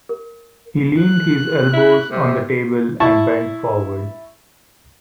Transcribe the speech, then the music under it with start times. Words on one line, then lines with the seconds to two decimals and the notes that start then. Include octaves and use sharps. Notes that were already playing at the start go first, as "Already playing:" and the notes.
He leaned his elbows on the table and bent forward.
0.09 A#4
1.03 F#6
1.73 E4
2.11 C3
3.00 E4 A5 C#6